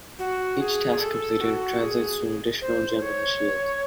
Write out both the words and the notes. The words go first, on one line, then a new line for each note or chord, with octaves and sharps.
Each task completed translates to an additional gem on the shield.
F#4
G#4
A4
F#4
G#4
C5
C#5